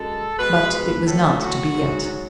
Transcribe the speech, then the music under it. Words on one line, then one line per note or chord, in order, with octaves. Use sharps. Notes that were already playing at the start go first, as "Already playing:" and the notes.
But it was not to be yet.
Already playing: F#2 G#3 A4
B2 G#3 B4
B4
A2 F#3 A4
F#4
G#2 F#3